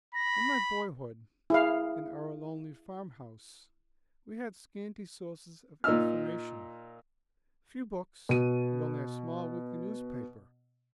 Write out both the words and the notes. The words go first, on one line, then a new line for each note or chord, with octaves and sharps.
In my boyhood, in our lonely farm-house, we had scanty sources of information; few books and only a small weekly newspaper.
B5 A#6
E4 G#4 F5
A#2 D#4 E6 F6
B2 D#7